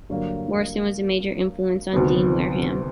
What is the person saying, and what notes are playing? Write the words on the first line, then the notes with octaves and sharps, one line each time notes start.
Morrison was a major influence on Dean Wareham.
G2 D3 F#3 A#3
D2 C3 D#3 F#3 B3